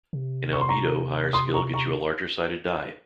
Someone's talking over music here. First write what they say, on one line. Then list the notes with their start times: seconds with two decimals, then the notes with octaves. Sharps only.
In Albedo, higher skill gets you a larger sided die.
0.13 C3
0.53 C#6
0.61 C6
0.69 A#5 C#6
1.33 C6 D#6
1.54 A#5 C#6
1.74 A#5 C#6